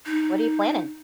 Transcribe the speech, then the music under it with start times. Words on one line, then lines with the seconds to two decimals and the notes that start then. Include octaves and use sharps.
what are you planning?
0.06 D#4